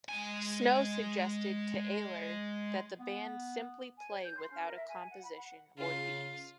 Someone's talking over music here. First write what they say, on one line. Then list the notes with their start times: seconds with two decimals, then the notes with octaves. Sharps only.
Snow suggested to Ayler that the band simply play without a composition or themes.
0.09 G#3 G#5
2.99 B3
3.97 G#5
4.10 C#5
4.24 G6
4.36 C6
4.50 C#4
4.62 A#4
4.76 E5
4.88 G#5
5.09 F#5
5.24 B5
5.37 F#5
5.78 C#3 F4